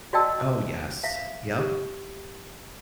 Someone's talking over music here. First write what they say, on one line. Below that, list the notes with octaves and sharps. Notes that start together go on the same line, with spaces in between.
Oh, yes. Yep.
F#4 D5 D#5 G5 A5 E6
E5 F5
G4